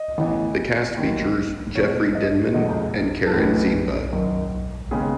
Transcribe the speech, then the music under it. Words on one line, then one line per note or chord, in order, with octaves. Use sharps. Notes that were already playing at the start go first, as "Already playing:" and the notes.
The cast features Jeffry Denman and Karen Ziemba.
Already playing: D#5
A1 A2 E3 B3
D#2 D#3 F#3
E2 B2 A3 C#5
D#5
E2 C#3 F#3 A3 D#5
A4
B1 A2 E3 A3 B4
F#1 F#2 D#3
D#2 C#3 G#3 B3 G#4